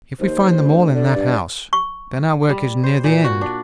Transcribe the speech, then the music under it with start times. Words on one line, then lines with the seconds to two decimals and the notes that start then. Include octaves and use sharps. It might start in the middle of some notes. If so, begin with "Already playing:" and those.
If we find them all in that house, then our work is near the end.
0.20 D#2 C5
0.57 D2
0.95 D3 D5
1.15 G2
1.73 C#6
2.49 G3
2.84 C5
3.04 A#2
3.24 F#4
3.41 D4